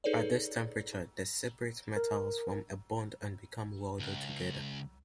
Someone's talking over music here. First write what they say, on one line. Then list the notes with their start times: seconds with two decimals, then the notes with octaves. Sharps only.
At this temperature the separate metals form a bond and become welded together.
0.04 D#4 G#4 A4 B4 C#5 D5
1.96 A#4
3.99 C#2